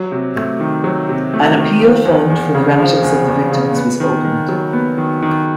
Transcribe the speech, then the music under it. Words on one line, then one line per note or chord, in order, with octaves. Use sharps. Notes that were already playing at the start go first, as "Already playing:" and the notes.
An appeal fund for the relatives of the victims was opened.
Already playing: F#3
C3
A3
D#3
F#3
C3
A3
D#3
F3
E2
E2
C#3
F3
E2
E2
C#3
B3
D#3
D#3
F#3
B3
D#3
D#3